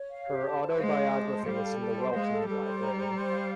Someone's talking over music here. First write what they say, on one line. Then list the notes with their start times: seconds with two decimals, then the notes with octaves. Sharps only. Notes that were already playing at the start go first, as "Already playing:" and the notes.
Her autobiography is in the Wellcome Library.
Already playing: C#5
0.10 F5
0.27 G4
0.45 A5
0.61 C5
0.78 G#3 F5
0.95 G4
1.12 A5
1.28 C5
1.45 G3 F5
1.63 A4
1.80 A4
1.97 C5
2.14 G#3 F5
2.31 A4
2.47 G3 A4
2.64 C5
2.81 A#5
2.98 C5
3.15 C5
3.32 F5